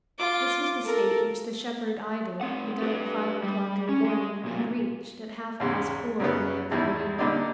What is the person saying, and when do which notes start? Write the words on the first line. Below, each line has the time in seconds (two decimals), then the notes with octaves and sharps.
This was the state which the shepherd idyl, begun at five o'clock in the morning, had reached at half-past four in the afternoon.
0.19 F4 D6
0.82 A4 A#4
2.41 C4 F#5
2.82 G4 B4
3.44 G3
3.89 C#4
4.04 G#3
4.44 B1 A#2
5.60 E2 G#2 C#3
6.20 F#2 C#3 B3
6.71 G#1 E2 G3 E4
7.18 A#2 D3 G3 D4 D#4